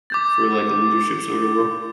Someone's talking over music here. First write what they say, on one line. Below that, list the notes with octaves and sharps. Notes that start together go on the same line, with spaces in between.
for, like, the leadership sort of role?
D6 G6 A6